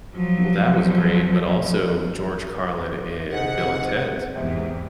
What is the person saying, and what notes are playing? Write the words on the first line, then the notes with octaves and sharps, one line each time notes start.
Well, that was great, but also George Carlin in Bill and Ted's.
F3 F#3
G#2 C3 F#5
E2 G#2 C3